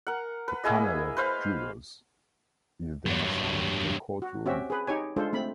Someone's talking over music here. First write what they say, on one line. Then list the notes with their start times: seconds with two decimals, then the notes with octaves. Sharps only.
A panel of jurors is then assigned to a courtroom.
0.07 A#4 F#5
0.48 B4
0.64 A#3 E4 G#4 D#5
1.17 B4 C5 F5
3.06 G2 F#3
4.22 F#4
4.46 C4 C#4 F#4 G4 E5
4.70 G#4 B4
4.87 D#4 G4 C#5 G#5
5.16 G#3 D4 F4 A4 C5
5.33 A3 C4 B5